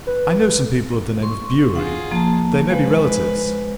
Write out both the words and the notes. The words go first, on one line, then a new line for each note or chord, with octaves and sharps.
"I know some people of the name of Bewery--they may be relatives."
B4
C6 C#6
F4 G#4 F#5
F3 A#3 A5
G#3 B4 C5 F5